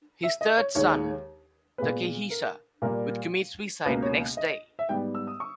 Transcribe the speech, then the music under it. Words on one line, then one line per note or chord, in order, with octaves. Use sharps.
His third son Takehisa would commit suicide the next day.
E5
D#5
C#5
D#2 D#3 G#3 C#5
A#2 G#3 B3 B4
A#4
A#2 G3 A#3 A#4
C#2 B2 A#3 B4
C#5
D#5
E5
G#2 G3 B3 G5
E6
D#6
C#6